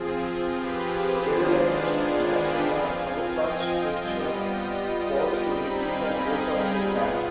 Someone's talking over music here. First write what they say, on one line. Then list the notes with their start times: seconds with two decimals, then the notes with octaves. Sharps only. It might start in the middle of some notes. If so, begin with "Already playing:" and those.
A middleaged man in a camouflage sweatshirt falls to his knees and holds out his hat.
Already playing: F3 C4 F4 G#4
0.21 G#4
0.56 G4 B4
0.90 G#4 C5
1.24 D#3 G#3 B3 D4 F4 G#4 C5
1.58 D5 F5
1.93 F5 G#5
2.28 G5 B5
2.62 F3 C4 F4 F5 G#5
3.32 D#5 G5
3.66 D#5 G5
4.01 G3 B3 F4
5.39 G3 C4 D#4 G5 B5
5.73 F5 G#5
6.07 D#5 G5
6.42 G#4
6.77 B2 B3 F4 G#4